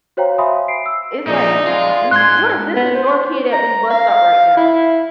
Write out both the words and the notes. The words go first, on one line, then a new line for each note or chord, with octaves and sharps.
It's, like, come on, di what if this was your kid at this bus stop right now?
F#4 C5 C#5 F5 G5 A#5
E5 F5 G#5 B5 C6 D#6
C7 D7
E6
A#2 F3 D#4 G#4 D5 E5
G#3 F4
G#2 C6 F#6 G#6
B3
C5
A#5
F5
E4